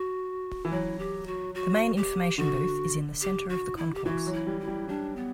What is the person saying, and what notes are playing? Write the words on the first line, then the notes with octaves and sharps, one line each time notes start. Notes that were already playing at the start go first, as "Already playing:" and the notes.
The main information booth is in the center of the concourse.
Already playing: F#4
E3
F#3 E4
G4
F#4
F#4
G4
D3 F#4
G4
F#4
E4
G4
E3 F#4
F#3
E4
G3
E4
G3
G3 D4
B3